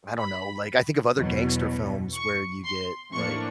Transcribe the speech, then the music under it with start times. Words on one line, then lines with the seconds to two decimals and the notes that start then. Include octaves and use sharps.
I don't know. Like, I think of other gangster films where you get, like,
0.18 B5
1.16 E2 B2 F#3
2.14 C#6
2.64 C6
3.13 A2 F3 A#3 D4 C#6